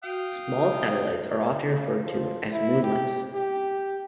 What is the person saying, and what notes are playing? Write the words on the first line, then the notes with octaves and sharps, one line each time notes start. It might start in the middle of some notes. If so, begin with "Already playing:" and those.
Small satellites are often referred to as moonlets.
F#4 F5 G5 D#6
C#3
F3
E4
G4
G4